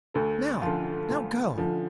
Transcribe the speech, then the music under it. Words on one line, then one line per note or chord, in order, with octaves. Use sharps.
"Now--now, go."
D2 A4
D3 F3 F4
D2
D3 F3